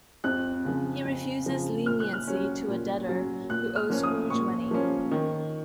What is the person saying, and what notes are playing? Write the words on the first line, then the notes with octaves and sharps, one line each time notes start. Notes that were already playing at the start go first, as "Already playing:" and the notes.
He refuses leniency to a debtor who owes Scrooge money.
F2 F#6
C#3 F3
F2
C#3 F3
A#2 F6
F#6
F6
F#3 C#4
A#2
F#3 C#4
A#2 F#6
F6
F3 A#3 C#4
D#6
A#2 C#6
F3 A#3 C#4
D#3